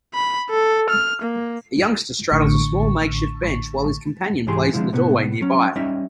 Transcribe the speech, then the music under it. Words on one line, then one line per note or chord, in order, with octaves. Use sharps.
A youngster straddles a small makeshift bench while his companion plays in the doorway nearby.
B5
A4
F6
A#3
A1 A2 D3 C#6
C2 G#2 E3 G4 G#4 C6
D3 D#3 F3 G#3 E4
A2 C3 B3
F#3 C#4
G3 C#4 D#4 E5